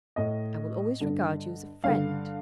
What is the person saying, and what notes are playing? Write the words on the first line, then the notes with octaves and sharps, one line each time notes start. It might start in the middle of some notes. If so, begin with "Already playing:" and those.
"I will always regard you as a friend."
A2 D#5
G2 D3
G2 D3 F5